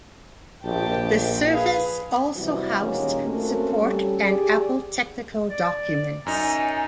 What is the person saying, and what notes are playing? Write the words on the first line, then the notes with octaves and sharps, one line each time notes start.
The service also housed support and Apple technical documents.
A#1 G4 G5 A5
G#4 B4 F5
C3 E3 F#3 G3 E4 F#4
A#2 D#3 G3 G#3 A#3 C#4
A3 A#3 C4 C#4 F#4 A#4
G3 C#4 A4
G4 G#4 D5
D5
F#2 D#4 G#5 A#5